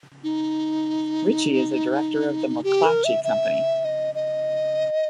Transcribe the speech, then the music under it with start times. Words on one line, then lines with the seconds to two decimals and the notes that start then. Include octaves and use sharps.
Ritchey is a director of The McClatchy Company.
0.24 D#4
2.64 G4
2.85 A#4
3.04 E5
3.24 E5
3.85 D#5
4.15 D#5